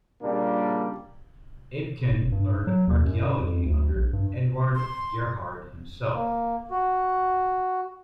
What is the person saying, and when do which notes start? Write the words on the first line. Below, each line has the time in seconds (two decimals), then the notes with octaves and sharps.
Abeken learned archeology under Eduard Gerhard himself.
0.22 A#2 C#3 G3 A#3 D4
2.10 F#1
2.32 G2
2.67 F#3
2.87 D#2
3.04 F#2
3.40 F2
3.66 D2
3.95 A#1
4.13 G2
4.75 C6
6.15 A#3
6.71 F#4